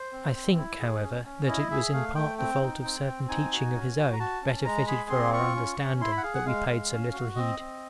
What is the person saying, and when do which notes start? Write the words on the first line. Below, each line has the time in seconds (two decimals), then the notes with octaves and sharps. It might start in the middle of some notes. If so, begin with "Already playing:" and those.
I think, however, that it was in part the fault of certain teaching of his own, better fitted for our understanding, that we paid so little heed.
Already playing: C5
0.12 C4
0.35 C4
0.57 E4
0.80 G#4
1.03 C#4
1.25 C#4
1.48 E4 D#5
1.71 G#4 E5
1.93 A3 F5
2.15 A3 G5
2.38 C4 G5
2.62 D#4
2.84 C4
3.06 C4
3.29 D#4 G#5
3.52 F#4
3.74 C#4
3.97 F#4
4.13 A#5
4.19 F#4 A5
4.43 C#4
4.65 G#3 A#5
4.87 G#4 B5
5.10 C4 C6
5.32 F4 C#6
5.55 C#4
5.79 C#4
6.01 E4 C6
6.12 B5
6.17 F#5
6.23 G#4 F5
6.35 F#5
6.46 G#3 F5
6.69 G#3
6.90 C#4
7.13 F#4
7.36 C4 D#5
7.59 C4